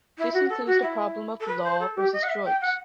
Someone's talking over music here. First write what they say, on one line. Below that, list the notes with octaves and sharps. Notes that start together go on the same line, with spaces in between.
This includes the problem of "law" versus "droit".
E4
F#4
A4
F#4
E4
A4
B4
C5
A4
G4
D#5
F#5
E5
G5
F#5